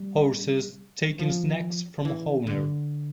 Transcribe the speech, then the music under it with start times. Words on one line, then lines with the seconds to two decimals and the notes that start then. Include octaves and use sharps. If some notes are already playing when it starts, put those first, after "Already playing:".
Horses taking snacks from owner.
Already playing: G3
1.19 F3
2.05 E3
2.47 D3